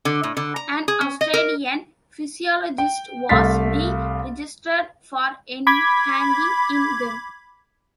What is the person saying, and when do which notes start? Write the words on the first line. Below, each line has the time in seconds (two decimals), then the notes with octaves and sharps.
An Australian psychologist was de-registered for engaging in them.
0.05 D3
0.23 A2
0.37 D3
0.56 A#5
0.88 G#4
1.01 C#4
1.21 D#5
1.34 A#4
2.78 G5
3.29 C2 A3 F5 C6 A6 B6
5.67 B5 D6 G#6 B6